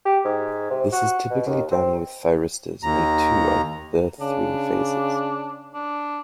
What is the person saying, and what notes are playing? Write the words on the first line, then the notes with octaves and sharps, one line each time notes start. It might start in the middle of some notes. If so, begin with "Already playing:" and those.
This is typically done with thyristors in two of the three phases.
G4
G#2
C3
F#4
B2
D#2
C4
D#2 A#5
C#3 D4
D4